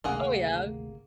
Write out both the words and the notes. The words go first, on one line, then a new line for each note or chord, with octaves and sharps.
Oh, yeah.
G#1 D2 C3 A#3 G#4 F#5